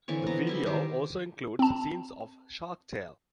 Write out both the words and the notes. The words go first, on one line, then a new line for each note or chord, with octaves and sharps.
The video also includes scenes of "Shark Tale".
D3 E3 C4 C#5
B3 A#5
G3 E4 G#4
D#3 G4 C5
C4 A5